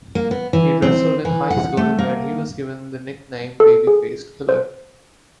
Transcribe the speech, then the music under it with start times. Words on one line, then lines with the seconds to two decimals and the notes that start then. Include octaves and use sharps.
He wrestled in high school, where he was given the nickname "Baby-Faced Killer".
0.15 A#3
0.31 B3
0.53 E3
0.82 C4
1.25 E3
1.50 F#5
1.77 A3
1.99 A#3
3.60 A4
3.87 G#4
4.49 C5